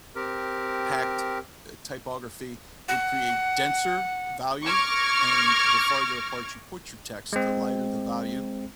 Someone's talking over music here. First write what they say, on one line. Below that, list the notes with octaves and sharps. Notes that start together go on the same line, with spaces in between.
packed, uh, typography would create denser value, and the farther apart you put your text, the lighter the value,
C4 G4 A#4
F#5
C#6 D6 F6 G#6 A#6
G#3 C4